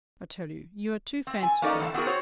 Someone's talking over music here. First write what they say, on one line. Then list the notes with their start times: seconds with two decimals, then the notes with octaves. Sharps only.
I tell you, you are too fanciful.
1.27 C4
1.43 G#5
1.62 A#3 C#4 D#4 A4 D5 D#5
1.80 E3 C4 F5 A5
1.94 B3 C4 D#4 F#4 G#4 A#4
2.06 C4 F#4 C5 C#5